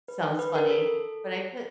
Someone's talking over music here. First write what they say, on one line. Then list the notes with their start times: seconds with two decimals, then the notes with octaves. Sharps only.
sounds funny, but I put
0.08 B4
0.39 B4
0.55 A#4
0.71 A4